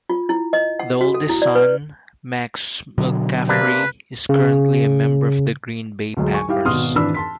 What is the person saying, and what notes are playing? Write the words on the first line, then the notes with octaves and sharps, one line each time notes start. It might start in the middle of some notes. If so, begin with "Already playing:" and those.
The oldest son, Max McCaffrey, is currently a member of the Green Bay Packers.
F4
E4
D#5
F#5
F#4
A4
E4
D5
B4
B2 D3 F#3
C3 A#3 D4 B4
C#3
D2 F#3 G#3
G#5 C#6
G3 E4 G4 F5
G#1 B2 F#4 C6 D#6 F6
G#1 E3 D4 B4 B5 E6
A5 C6 B6